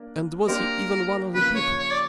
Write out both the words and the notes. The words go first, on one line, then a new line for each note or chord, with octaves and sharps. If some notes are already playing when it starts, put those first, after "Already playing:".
And was he even one of the people?
Already playing: A#3 D4
A#3 D4 G4 A#4 C5
C#3 F3 A#3 B4
C#5
C#5
D5